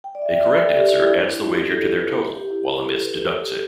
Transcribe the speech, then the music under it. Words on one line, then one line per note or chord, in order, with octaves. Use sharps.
A correct answer adds the wager to their total, while a miss deducts it.
G5
D5
E5
D5
A4
G4
E4
D4
E4
G4
A4
A4
A4
B4
G4
E4
G4
A4
B4
A4
G4